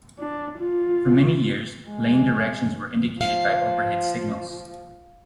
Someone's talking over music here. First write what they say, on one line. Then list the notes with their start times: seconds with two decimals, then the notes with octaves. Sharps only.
For many years, lane directions were indicated by overhead signals.
0.19 D4
0.58 F4
1.90 G#3
3.21 F3 F5